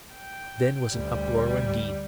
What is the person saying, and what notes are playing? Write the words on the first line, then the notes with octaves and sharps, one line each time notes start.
Then was an uproar indeed.
G5
D2 G3